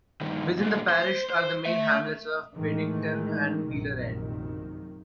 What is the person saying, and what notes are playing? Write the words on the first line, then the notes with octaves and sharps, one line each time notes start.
Within the parish are the main hamlets of Piddington and Wheeler End.
G2 D#3
A#2 G#3
C5
C5
A3 E5
A2 D#3 E3 G#3
A#1 F#2 C3 D#3